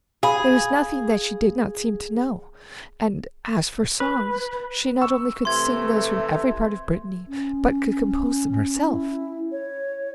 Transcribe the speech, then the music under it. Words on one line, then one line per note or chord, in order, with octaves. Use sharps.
There was nothing that she did not seem to know, and as for songs she not only could sing those from every part of Brittany, but could compose them herself.
G#4 F5 B5
B4
C#6 E6
C3 E3 A3 E5 C6 G#6
C#4
E4
C#5